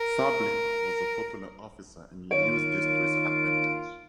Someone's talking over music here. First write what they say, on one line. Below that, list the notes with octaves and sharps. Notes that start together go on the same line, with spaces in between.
Sablin was a popular officer and he used this to his advantage.
A#4
D#3 A#3 F4 C#5 D7